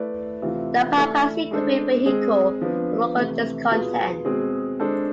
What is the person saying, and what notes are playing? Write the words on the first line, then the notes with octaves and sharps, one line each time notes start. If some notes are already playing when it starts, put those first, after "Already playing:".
The Papacy could be a vehicle for local discontent.
Already playing: A3 E4 B4 D5
C3 E3 A3 C4 F4
A3 E4 A4 D5
G#3 D4 A4 C5
G#3 C4 G#4
F3 B3 D4
C3 E3 A3
B2 B3 F4 G#4
B2 G#3 C4 G#4
G#3 D4 A4 C5